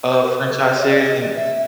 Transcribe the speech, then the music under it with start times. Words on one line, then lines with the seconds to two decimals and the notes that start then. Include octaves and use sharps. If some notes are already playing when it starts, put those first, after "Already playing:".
uh, franchise series, and
0.09 C5
0.22 A#4
0.28 B4
0.49 A4
0.62 G#4
0.77 C#5
0.86 D#5
0.91 D5
1.06 D#5
1.36 E5